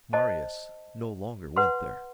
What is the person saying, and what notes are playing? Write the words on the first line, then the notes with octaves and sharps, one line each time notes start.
Marius no longer went there.
C5 D#5 A5
B4 F#5 C6